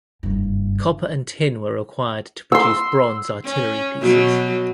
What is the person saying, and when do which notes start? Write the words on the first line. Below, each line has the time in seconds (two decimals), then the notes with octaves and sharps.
Copper and tin were required to produce bronze artillery pieces.
0.23 F#1 G2
2.52 C6 E6
3.45 C#4
4.02 B2 F#3